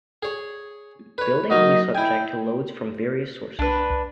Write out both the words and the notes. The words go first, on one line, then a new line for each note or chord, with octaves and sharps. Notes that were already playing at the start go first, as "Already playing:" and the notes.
Buildings will be subject to loads from various sources.
G#4 C#5
B4 C#5
F#3 A#3 D#4 D#5
E4 G5 G#5
C2 D4 B4